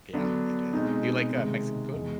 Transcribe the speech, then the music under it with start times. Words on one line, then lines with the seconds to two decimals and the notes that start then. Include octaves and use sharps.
Yeah, it is. Do you like, uh, Mexican food?
0.13 D3 F#3 B3 D4
0.73 B2 G#3 C4 D#4
1.33 C3 D#3 G#3
1.93 E2 B2 G#3